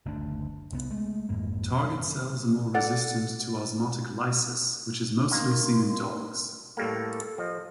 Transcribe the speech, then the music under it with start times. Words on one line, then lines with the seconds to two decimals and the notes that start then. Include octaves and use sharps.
Target cells are more resistant to osmotic lysis, which is mostly seen in dogs.
0.05 F#1 D2 A3 D4
0.72 C2 B3
0.90 G#3 A3
1.29 G#1 F2 G#2 A#3
1.84 D#3 F#3
2.74 A4 D5 F#5
5.31 D#3 A#3 C6
6.77 A2 G3 A#3 A4
7.38 F3 D#5